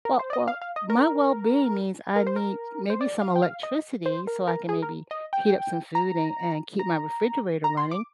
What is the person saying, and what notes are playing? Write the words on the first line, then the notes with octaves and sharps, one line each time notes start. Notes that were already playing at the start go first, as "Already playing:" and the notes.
Well well, my well-being means I need maybe some electricity, so I can maybe heat up some food and and keep my refrigerator running.
A#4
C5
D5
D#5
F5
F5
D#5
A#4
A#4
C5
A#4
C5
D5
F5
G5
F5
D#5
C5
A#4
A#4
G#4
A#4
D#5
G5
A#5
A#5
A#5
C6
D6